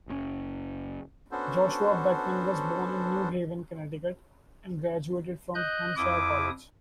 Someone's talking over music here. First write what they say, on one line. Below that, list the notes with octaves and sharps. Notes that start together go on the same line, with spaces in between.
Joshua Beckman was born in New Haven, Connecticut., and graduated from Hampshire College.
F#1 A2 C#4
B3 C#4 D4 F#4 A4 C5
D#5 F#6 G6
F2 E4 D6 D#6